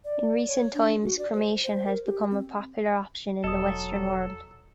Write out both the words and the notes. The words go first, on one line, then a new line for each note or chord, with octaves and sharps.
In recent times, cremation has become a popular option in the western world.
D5
C#5
D4
F#4
D5
C5
C5
A#4
G4
C4
E1 F#3 A4 D#5 D#6